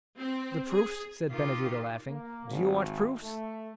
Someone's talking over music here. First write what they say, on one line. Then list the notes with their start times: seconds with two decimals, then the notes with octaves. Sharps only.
"The proofs?" said Benedetto, laughing; "do you want proofs?"
0.17 C4
0.70 G#4
1.30 C3 D#3 F4 G4
2.09 A#3
2.48 G#1
3.22 A3